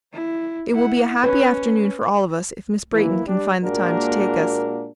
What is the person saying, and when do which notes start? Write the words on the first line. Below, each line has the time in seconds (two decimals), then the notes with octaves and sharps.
"It will be a happy afternoon for all of us if Miss Brayton can find the time to take us."
0.13 E4
0.71 E4 F#5
1.24 C#4 B4
2.93 E3 A#3 E4
3.27 G3 D4
3.63 A#2 G#3 A#3 D4 F#4 A#4